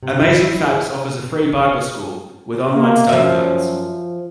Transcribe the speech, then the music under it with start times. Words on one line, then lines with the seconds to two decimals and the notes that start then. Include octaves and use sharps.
"Amazing Facts" offers a free Bible school with online study guides.
0.03 C3
0.22 E4
0.39 E4
0.65 G#4
2.75 A#3
3.09 F#2 F3 E5